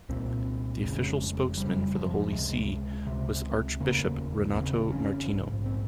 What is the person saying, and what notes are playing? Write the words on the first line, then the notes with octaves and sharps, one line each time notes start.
The official spokesman for the Holy See was archbishop Renato Martino.
C2 A#2 C4
F1 F2 C#3 G#3
F1 F2 C#3 G3
F3
C#2 C3 G#3
C#2 C3
F1 D#2 C#3 A#3
F1 D#2 C#3 C4
C#4
A#1 G#2
C4